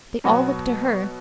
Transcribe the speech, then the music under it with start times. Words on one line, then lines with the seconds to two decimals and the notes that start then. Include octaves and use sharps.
They all looked to her.
0.24 B2 F#3 B3 F#4